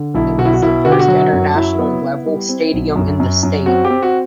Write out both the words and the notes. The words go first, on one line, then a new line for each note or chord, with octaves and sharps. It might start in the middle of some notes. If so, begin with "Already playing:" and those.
It is the first international level stadium in the state.
Already playing: D3
B1 E4
B2 F#4
E4
F#4
B2 E4
D3 F#4
G4
F#4
F#3
F#2
F#3 E4
B3
B3
G3
C4
B1
F#2
F#2
F#2
C4 F#4
G4
C4
F#4